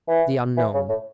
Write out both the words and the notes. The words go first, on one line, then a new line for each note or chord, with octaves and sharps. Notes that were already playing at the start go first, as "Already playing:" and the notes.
The Unknown.
E3
E3
C#3
A2